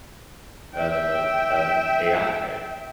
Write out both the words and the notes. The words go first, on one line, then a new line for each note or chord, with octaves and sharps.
uh, of AI.
E5 G5